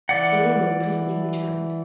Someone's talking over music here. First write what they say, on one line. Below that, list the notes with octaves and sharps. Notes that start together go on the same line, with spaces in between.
The landlord presently returned.
E3 D5 F#5